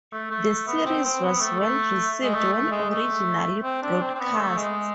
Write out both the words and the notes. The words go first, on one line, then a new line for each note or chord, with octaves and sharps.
The series was well-received when originally broadcast.
A3
A3
B3
C4
C4
B3
A3
A3
G#3
A3
A3
G#3
A3
C4
D4
C4
C4
B3
A3
G#3